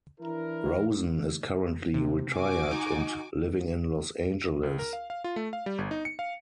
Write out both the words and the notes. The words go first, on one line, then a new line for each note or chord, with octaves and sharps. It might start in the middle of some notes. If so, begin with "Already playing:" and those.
Rosen is currently retired and living in Los Angeles.
E3 D4 E4 A#4
C3
F#4 G#5 D6
D#4
C#2
A#4
F5
F5
F4
A3
F5
G3
G1
D#4
C#7
F5